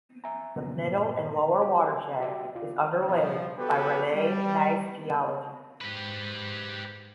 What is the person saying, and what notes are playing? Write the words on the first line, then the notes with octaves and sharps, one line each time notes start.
The middle and lower watershed is underlaid by Raleigh Gneiss geology.
E5 G#5 A#5
F2 A#2 C#3 F#3 A#3 B3
G2 A#2
G4
F#4 G4 D5 E5 G5
C2 F4 D5
G2 B2 F3
B3 F#4 G4 A4 B4
G3
G#2 G4 B4